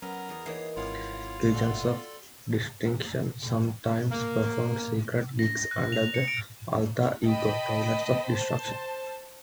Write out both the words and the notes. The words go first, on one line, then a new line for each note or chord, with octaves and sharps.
Kitchens of Distinction sometimes performed "secret" gigs under the alter ego Toilets of Destruction.
F#3 B3 C#4 A#4
E2 G#4 D5
E3 A#3 D#4 C#5 D#6 C7
G#1 C3 E4 F4 C#5 F#5
F#4 A4 D5 G5 C6
A#3
A#6
F#6
F7
C#7
D7
D#5 G5 A5 B5
C5 A5